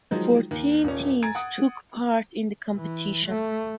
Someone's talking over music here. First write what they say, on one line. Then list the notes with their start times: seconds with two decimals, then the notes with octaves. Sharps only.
Fourteen teams took part in the competition.
0.11 D#3 F3 F#3 G#3 D#4
0.51 D#2
0.84 D#1 C#4
1.22 G#5 A#5 G#6 A6 D7
1.35 F#5 D#6
2.74 E3
3.25 A3